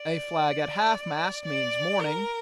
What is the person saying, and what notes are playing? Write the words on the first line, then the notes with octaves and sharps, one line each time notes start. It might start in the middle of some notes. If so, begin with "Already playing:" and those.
A flag at half-mast means mourning.
Already playing: D5
D5
A#4